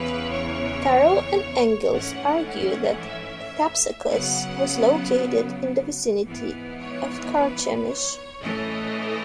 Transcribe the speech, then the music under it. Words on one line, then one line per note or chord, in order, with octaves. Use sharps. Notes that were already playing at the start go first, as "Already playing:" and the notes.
Farrell and Engels argue that Thapsacus was located in the vicinity of Carchemish.
Already playing: E2 C#3 E3 B4
C#5
G#2 E3 A3 C#4 F#5
F#5
E5
C#3 F#3 B3 F#5
G#2 E3 B3
C#5
B4
C#5
A2 E3 A3 C#4 D#5